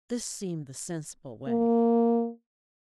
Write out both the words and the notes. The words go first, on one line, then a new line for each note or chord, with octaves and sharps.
This seemed the sensible way.
A#3